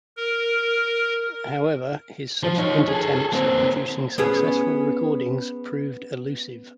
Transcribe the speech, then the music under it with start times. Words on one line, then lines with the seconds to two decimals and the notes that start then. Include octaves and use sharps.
However, his subsequent attempts at producing successful recordings proved elusive.
0.17 A#4
2.44 F3
2.58 D#4 C#5
2.88 G#4 A4
3.33 A#3 C4
4.18 B3 C#4 G#4